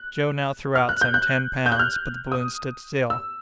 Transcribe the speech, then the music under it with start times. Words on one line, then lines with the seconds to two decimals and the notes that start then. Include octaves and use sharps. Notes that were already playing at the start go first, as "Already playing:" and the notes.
Joe now threw out some ten pounds, but the balloon stood still.
Already playing: F#6
0.75 F6
0.89 F#6
1.01 G6
1.14 F#6
1.66 G6
1.72 F#6
1.79 F6
2.32 D#6
3.10 E6